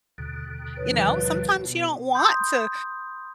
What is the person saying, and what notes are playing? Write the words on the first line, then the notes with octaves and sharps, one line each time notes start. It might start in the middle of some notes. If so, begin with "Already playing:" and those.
you know, sometimes you don't want to
D#2 B2 D3
G2 D#3 F3 B4 C#5
B2
B5 C6 D#6 G6